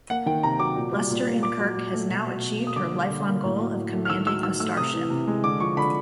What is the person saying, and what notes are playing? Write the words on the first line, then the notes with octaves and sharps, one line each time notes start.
Lester-in-Kirk has now achieved her lifelong goal of commanding a starship.
A#3 F#5
D#3 G5
C3 A#5
F#3 D6
A#2
G3
A#2
A#3
A#2 D6
F#3
A#2
A3
B2
F#3
B2
A#3
D#6
D3 D6
G3
D3
A#3
A2
F#3
A2
A3
F6
D#3 E6
F#3 E6
D#3 E6
A3 E6
C3 D#6
E3
C3
G#3
D3 D6
F3 C#6
D3 B5